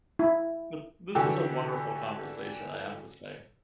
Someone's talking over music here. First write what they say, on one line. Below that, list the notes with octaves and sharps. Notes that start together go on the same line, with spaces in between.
But, this is a wonderful conversation, I have to say.
E4
D3 E3 F#4 G4 A4